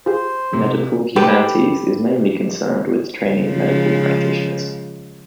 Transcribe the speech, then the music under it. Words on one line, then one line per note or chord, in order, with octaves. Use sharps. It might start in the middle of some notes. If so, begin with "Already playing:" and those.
Medical humanities is mainly concerned with training medical practitioners.
F4 G4 G#4 C5
C3
G4 A4 B4 G5
C#3 F3 G#3